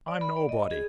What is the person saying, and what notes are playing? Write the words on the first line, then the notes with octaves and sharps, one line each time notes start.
I'm nobody.
D5
B5
D5
D#5
G#4